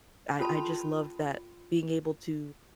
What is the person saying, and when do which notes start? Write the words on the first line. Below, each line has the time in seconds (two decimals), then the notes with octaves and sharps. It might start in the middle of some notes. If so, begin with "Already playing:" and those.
I I just loved that being able to
0.39 C#4 F4 A4 A5 B5 C6